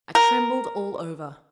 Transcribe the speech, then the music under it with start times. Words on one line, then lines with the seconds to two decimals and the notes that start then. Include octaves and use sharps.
I trembled all over.
0.15 A#4